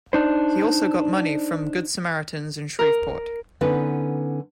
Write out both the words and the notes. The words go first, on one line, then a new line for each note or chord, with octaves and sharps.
He also got money from Good Samaritans in Shreveport.
D4 D#4 C5
A#4
D3 B3 C#4 D#4 B4